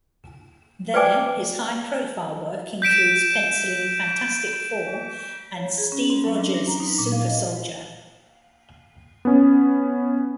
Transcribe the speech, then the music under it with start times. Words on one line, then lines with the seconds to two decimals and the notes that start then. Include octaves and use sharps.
There, his high-profile work includes pencilling "Fantastic Four" and" Steve Rogers: Super-Soldier".
0.94 B4 C5 D5 G5 G#5 D6
2.82 G6 B6 D7 E7
5.56 C#5
5.78 G#4
5.92 C#4
6.10 C4
6.24 F#3
6.39 D4
6.54 A#6
6.67 A#5
6.80 D#4
6.98 A#2
7.12 F5
7.28 D#5
9.25 B3 C#4